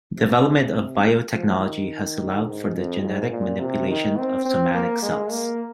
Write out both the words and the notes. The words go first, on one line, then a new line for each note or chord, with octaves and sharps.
Development of biotechnology has allowed for the genetic manipulation of somatic cells.
C3
F3
D#3
G#2
F2
G#2
A#2
C3
D#3
C4
C4
A#3
G#3
A#3